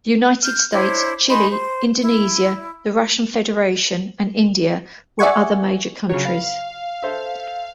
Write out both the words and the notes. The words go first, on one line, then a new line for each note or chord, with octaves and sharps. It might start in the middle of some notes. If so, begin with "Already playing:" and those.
The United States, Chile, Indonesia, the Russian Federation and India were other major countries.
F6 G6
D4 E4 C5 C#5
D#4 G#4 B5 C6
C5
E4
D5 E5 F#5 G#5 C#6
C#3 F#3 C#5
F5 B5
A4 C5 E5